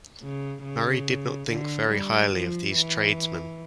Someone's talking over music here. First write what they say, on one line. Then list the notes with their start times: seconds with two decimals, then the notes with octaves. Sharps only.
Murray did not think very highly of these tradesmen.
0.23 C#3
0.64 C#3
1.49 D3
1.90 G3
2.33 F3
2.74 E3